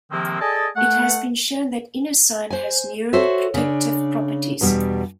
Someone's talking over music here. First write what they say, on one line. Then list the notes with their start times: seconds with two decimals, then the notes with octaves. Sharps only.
It has been shown that inosine has neuroprotective properties.
0.11 C3 D#3 F3 G#3 A#3 C4
0.41 G#4 A4 D5 D#5 G#5 A5
0.77 A3 F#5
2.50 C5 G#5
3.13 F#4 A4 C5 C#5 E5
3.54 C#3 D4
4.61 E2 B2 G3